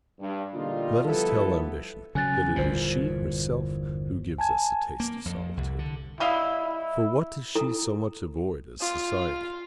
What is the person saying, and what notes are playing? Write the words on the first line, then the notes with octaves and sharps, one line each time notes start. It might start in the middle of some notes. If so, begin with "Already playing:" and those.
Let us tell ambition that it is she herself who gives us a taste of solitude; for what does she so much avoid as society?
G2
E2 A#2 D3 G3 D#4 F4
G1 G2 F3 B3 E4 A4
C#3 F#3 G#5 F#6 A6
G1 E2 A#2 F4 C5
G#5 A5 G#6
A#3
F2
C2
D3
G3 E4 D#5 F5
E4
E4 A4 A#5
F4